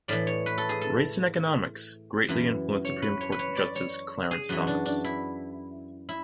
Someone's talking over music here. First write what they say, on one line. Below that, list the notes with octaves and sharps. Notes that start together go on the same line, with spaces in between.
"Race and Economics" greatly influenced Supreme Court Justice Clarence Thomas.
A2 E3 D5
C#5
B4
A4
G#4
A4
F#2 E3
C#5
B4
C#5
B4
C#5
D5
C#5
G#4
F#2 E3 F#4
D4
D4
E4
E4